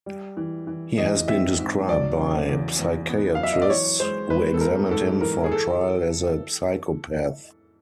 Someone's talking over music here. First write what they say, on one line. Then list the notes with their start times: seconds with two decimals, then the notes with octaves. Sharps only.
He has been described by psychiatrists who examined him for trial as a psychopath.
0.06 G3
0.37 E3
0.67 E3
0.98 E3 D#5
1.28 C4 E5
1.58 G#2
1.88 F#3 D5
2.19 C#3
2.49 E2
2.79 E2
3.09 B3
3.35 F5
3.40 F#3 E5
3.52 D#5
3.62 D5
3.70 E3 C#5
4.00 G#3 C5
4.30 G#3 B4
4.54 A4
4.61 B3 A#4
4.90 G#2 A4
5.21 E3 A#4
5.44 G#4
5.52 A4